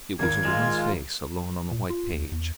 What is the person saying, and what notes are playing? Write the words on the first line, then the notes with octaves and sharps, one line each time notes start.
It was a woman's face, alone on the white page.
G#1 A#4 G#6
G#3 F4
A#2
F4
D#2
E2